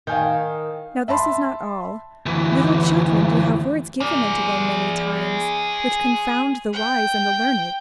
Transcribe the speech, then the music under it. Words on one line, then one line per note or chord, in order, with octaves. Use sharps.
Now this is not all; little children do have words given unto them many times which confound the wise and the learned.
D#3 F5 G#5 G6
E5 A5 B5 C6
D2 E3
G#4 D5
G5